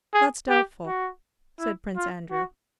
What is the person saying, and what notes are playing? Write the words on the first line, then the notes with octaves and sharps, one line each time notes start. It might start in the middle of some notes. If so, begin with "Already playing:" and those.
"That is doubtful," said Prince Andrew.
G#4
G4
F#4
E4
F4
F#4